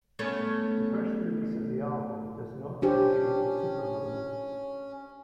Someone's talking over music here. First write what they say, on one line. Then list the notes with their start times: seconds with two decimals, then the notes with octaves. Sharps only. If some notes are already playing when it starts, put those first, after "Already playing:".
The first release of the album does not contain "Supermodel".
0.19 A3 B3 C#4
2.82 C#4 D4 G4 C5